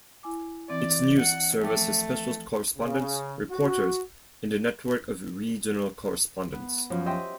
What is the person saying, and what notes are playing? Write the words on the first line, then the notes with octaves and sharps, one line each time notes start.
Its news service has specialist correspondents, reporters and a network of regional correspondents.
E4 G#5 D6
E3 C4 D5
F#5
F3 A3 G5 D6
C#3
F#4
B3
F#2 F3 C#4
G4 D#5 E5 G5 C6